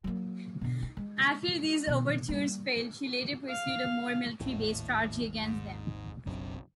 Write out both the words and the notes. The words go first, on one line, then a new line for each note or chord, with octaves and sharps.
After these overtures failed, she later pursued a more military-based strategy against them.
F#3 A#3
B2 D3
D#4
G#3
B2 D#3
G3 A#3
F5
G#1 D#2 A2
G#2
F#1 B1 F#2 E3 C4 D4